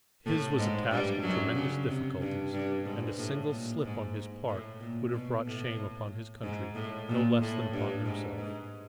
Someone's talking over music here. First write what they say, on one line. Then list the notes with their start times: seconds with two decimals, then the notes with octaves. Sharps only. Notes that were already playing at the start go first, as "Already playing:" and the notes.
His was a task of tremendous difficulties, and a single slip on his part would have brought shame upon his country, no less than upon himself.
0.26 A2 A3
0.58 G#2 G#3
0.91 G2 G3
1.23 F#2 F#3
1.55 C#3
1.88 C3
2.21 G2
2.53 G2
2.86 G#2
3.19 A2
3.51 A#2
3.83 G#2
4.15 G#2
4.48 A2
4.80 A#2
5.13 B2
5.46 A2
6.43 G#2
6.75 A2
7.09 A#2
7.41 A2
7.73 G2
8.06 G#2
8.38 G#2